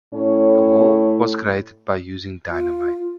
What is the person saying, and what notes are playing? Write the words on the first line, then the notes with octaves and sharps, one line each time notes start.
The hall was created by using dynamite.
A2 C#4
F4